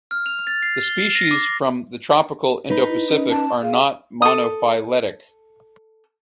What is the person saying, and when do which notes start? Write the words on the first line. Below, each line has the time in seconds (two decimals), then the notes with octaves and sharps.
The species from the tropical Indo-Pacific are not monophyletic.
0.11 F6
0.26 F7
0.47 A6
0.62 C7
0.83 G7
0.99 C7
1.15 A#6
1.31 D6
2.70 D#4 B4
2.88 E4
3.09 C#4 D#5
3.30 A5
3.62 G#4 F5
4.22 A4 D#6